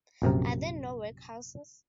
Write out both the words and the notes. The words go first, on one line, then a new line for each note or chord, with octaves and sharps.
Are there no workhouses?
A#1 F#2 C3 A#4